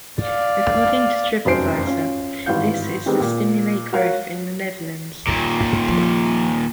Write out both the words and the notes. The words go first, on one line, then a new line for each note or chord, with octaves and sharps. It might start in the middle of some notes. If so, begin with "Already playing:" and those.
According to TripAdvisor, this is to stimulate growth in The Netherlands.
D5 F5
F1 F#2 D#4 C5 C7 D7
C#4 F4
G#1 G2 E3 F5 G6
D#3 G3 G#3 B3 C4
A#2
F#4 A#4 C#5 F5
D#2 A#2
F3